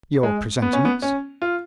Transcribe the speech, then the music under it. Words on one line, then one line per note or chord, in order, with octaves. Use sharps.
"Your presentiments?"
G#3
B3
C#4
B3
C#4
F4